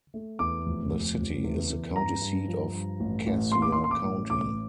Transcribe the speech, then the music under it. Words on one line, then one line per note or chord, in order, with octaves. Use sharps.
The city is the county seat of Cassia County.
A3
E2 D6
F1
F1
F1
E2
E2
G2 A#5
G2
F3
G2
A1
A1
A#3 C6
D6
C6
A1
C6
D6
A2
A1 D6